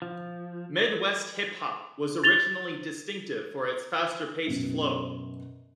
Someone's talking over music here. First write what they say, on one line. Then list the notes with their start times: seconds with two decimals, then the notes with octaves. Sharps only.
Midwest Hip Hop was originally distinctive for its faster-paced flow.
0.02 F3
2.24 A6 F7 G7
4.47 F#2 B2